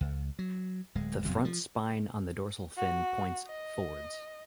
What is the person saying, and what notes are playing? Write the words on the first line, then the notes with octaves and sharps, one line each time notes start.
The front spine on the dorsal fin points forwards.
C#2
F#3
D1 G#3
F#1 F2 B2 F#3
F3
F#4
D#5